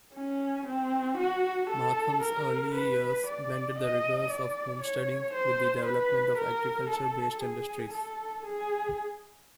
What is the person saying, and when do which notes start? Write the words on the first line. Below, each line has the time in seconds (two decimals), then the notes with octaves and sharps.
Markham's early years blended the rigours of homesteading with the development of agriculture-based industries.
0.15 C#4
0.66 C4
1.18 F#4
1.70 A4
2.22 A#4
2.74 B4
3.27 D5
3.79 D#5
4.31 D5
4.82 C#5
5.33 C5
5.86 B4
6.38 A#4
6.90 A4
7.41 G#4
7.93 A4
8.45 G#4